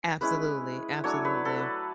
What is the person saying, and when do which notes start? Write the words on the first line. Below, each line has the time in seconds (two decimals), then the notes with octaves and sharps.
Absolutely. Absolutely.
0.21 G#3 C#4 E4 B4
1.04 F#3 A3 D4 C#5
1.25 B4
1.45 A4
1.59 B4